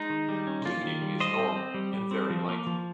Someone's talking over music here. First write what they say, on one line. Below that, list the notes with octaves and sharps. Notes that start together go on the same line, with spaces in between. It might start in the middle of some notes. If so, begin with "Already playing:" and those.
Bleeding is normal and very likely.
Already playing: G#3 D#4
D#3
G3
C#4
A#3 F4
D#3
G3
G3 C5 D#5
C4
C4
G3
G3
C4
F3
A#3
F3